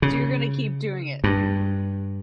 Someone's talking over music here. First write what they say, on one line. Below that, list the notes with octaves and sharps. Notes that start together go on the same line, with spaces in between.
So, you're gonna keep doing it.
C#3
G2